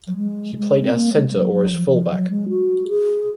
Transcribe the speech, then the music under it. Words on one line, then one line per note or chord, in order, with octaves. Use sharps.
He played as centre or as fullback.
F#3
G#3
G#3
C4
A#3
G#3
F#3
F#3
F3
F#3
F3
F#3
G#3
F#4
G#4